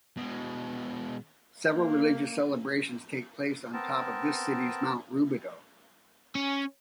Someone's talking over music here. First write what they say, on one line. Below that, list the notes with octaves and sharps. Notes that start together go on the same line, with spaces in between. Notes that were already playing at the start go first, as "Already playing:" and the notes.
Several religious celebrations take place on top of the city's Mount Rubidoux.
B2 G#3
A#3
B3 C4 A#4 A5
C#4